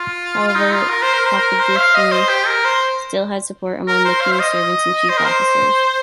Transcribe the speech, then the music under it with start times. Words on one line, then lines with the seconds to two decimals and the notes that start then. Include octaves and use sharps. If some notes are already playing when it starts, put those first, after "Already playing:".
However, Papahdilmah still had support among the king's servants and chief officers.
Already playing: F4
0.48 F4
0.55 D#4
0.73 F4
0.90 A#4
1.03 C5
1.14 A#4
1.26 C5
1.39 A#4
1.60 C5
1.77 F5
1.95 D#5
2.12 C5
2.29 G4
2.47 A#4
2.65 C5
3.87 A#4
4.05 C5
4.21 F5
4.32 C5
4.40 D#5
5.10 C5
5.17 A#4
5.25 C5